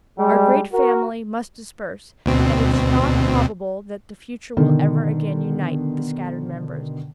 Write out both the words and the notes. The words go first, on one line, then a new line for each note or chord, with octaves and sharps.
Our great family must disperse, and it is not probable that the future will ever again unite the scattered members.
G3 G#3
F#4 A#4
D2 B2 C4
B2 D3 D#3